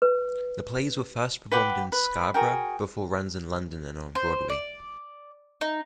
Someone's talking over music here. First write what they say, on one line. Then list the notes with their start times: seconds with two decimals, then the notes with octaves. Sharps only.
The plays were first performed in Scarborough, before runs in London and on Broadway.
0.02 B4
1.52 B4 F#5 G5 D6
1.92 B4
2.34 F#4 G#4 A#4 G5
4.15 C5
4.49 D5
5.61 D#4